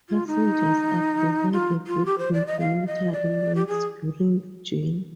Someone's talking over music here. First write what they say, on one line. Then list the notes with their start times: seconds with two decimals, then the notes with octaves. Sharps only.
Passengers are provided with complimentary meals during the journey.
0.09 F4
0.27 D#4
1.52 F4
1.87 F4
2.06 G4
2.19 C5
2.33 D5
2.47 D#5
2.60 F5
2.87 D#5
3.13 D5
3.55 G4
3.68 G#4